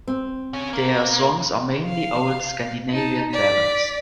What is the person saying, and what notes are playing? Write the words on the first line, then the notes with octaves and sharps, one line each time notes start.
Their songs are mainly old Scandinavian ballads.
C4
C#3 C#5
A#3
F5
D#4 A5
D5 B6